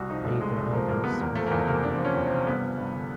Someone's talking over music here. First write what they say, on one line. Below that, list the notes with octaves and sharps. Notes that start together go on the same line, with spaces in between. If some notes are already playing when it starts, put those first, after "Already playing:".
Later others were added.
Already playing: C2 F#4
F3 D#4
C2 A3
C3 G#3
C2 A3
F3 A#3
C2 A#3
C3 B3
E2 A#3
F3 A3
A#3
E2 A3
C3 A#3
E2 D4
F3 C4
C#4
E2
C4
C3
G2 B3
F3
G2
D3